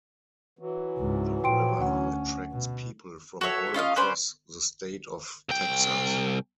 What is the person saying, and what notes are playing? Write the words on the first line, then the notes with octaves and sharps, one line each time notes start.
The river attracts people from all across the state of Texas.
E3 F#3
C#2 G#2
A#2 F3 G5 C6 D7
D2 C#4 F#5
B2
F#4 A4 C#5 E5
C#4 F4 D#5 F5
B3 C#4 C5 D5
C2 G5